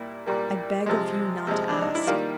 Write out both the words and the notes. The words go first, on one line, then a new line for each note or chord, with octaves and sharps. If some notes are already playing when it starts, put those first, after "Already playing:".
I beg of you not to ask.
Already playing: A#2 G3 A#3 E4
A#2 G3 A#3
C3 F3 G#3
C3 F3 G#3
D4
D#4
E4
D#3 G3 A#3 F4